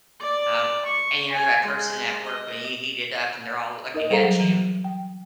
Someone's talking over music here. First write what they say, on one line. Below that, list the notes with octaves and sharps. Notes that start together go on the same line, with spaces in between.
um, and you're the right person at work when you heat it up, they're all looking at you,
D5
C#6
G#5
G#3
D#5
D#4 A#4 D#5
G3 G#4 A4 C5 F5 A#5
F#3
E3
G5